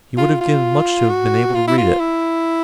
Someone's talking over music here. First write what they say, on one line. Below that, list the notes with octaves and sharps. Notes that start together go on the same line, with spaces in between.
He would have given much to have been able to read it.
F4
F4
F#4
F4
E4
F4
E4